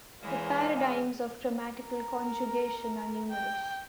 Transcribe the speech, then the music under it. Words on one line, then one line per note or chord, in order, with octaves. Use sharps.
The paradigms of grammatical conjugation are numerous.
E2 A#2 E3 G#3 C#5 G#5 F6
A#4
G5